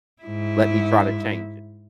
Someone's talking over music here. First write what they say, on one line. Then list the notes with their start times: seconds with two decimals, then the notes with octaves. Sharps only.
let me try to change it."
0.22 G#2 E4